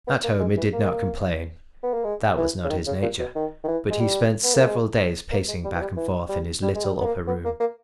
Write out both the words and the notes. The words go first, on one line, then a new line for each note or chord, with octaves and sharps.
At home he did not complain--that was not his nature--but he spent several days pacing back and forth in his little upper room.
B3
A#3
G#3
E3
A#3
B3
A#3
G#3
E3
C#3
D#3
C#3
A#2
B2
D#3
D#3
E3
G#3
G3
B3
A#3
G#3
A#3
G#3
G3
E3
G3
E3
G3
G3
G#3
G3
B3
A#3
B3
A#3
A#3